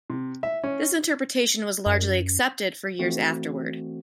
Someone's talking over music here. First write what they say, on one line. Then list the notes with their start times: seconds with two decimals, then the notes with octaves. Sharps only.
This interpretation was largely accepted for years afterward.
0.10 C3
0.43 E5
0.64 C#4
1.86 F#2
2.99 E3 A3 C4 F#4